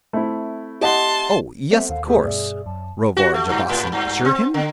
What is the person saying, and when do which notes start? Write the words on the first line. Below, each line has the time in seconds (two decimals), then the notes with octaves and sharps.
"Oh, yes, of course," Rovard Javasan assured him.
0.13 A3 C4 E4
0.81 G4 D#5 F#5 A5 C6
1.71 G3 B3 C4 A4 C5 E5 F#5
1.89 D#2 F5
2.07 A3 B3 G4 G#4
2.23 G2 B2 D5 E5
2.66 F#2 A5
3.17 F#4
3.34 A3
3.50 G2
3.69 G#2
3.92 G2
4.25 C4
4.54 D3